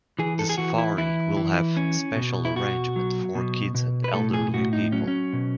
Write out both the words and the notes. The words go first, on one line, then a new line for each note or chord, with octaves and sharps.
The Safari will have special arrangement for kids and elderly people.
E3 G#4
A4
G#4
E3 F#4
E4
E3 E4
E3
C#4
B2
E4
B2 F#4
F#3
B2
B2
B4
A2 A4
G#4
A2 F#4
D#4
F#3 C#4
C#4
B2